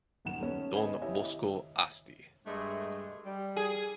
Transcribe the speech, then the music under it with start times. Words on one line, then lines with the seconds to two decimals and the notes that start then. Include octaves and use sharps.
Don Bosco Asti.
0.25 D#1 F#2 D#3 F#5 E7
0.40 A3 B3 C#4
0.75 B4 D#5 G#5 B5
1.01 E4 G4 C#5 D#5 E5
2.46 G2 G#3 A3
3.25 G3
3.56 G#4